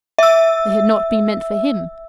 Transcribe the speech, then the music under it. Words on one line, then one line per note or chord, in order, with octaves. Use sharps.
They had not been meant for him.
E5 E6